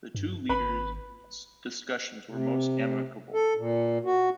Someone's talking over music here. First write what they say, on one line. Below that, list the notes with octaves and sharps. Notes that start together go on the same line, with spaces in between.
The two leaders' discussions were most amicable.
G2
G#1 B4 B5
C3
A4
A#2
F#4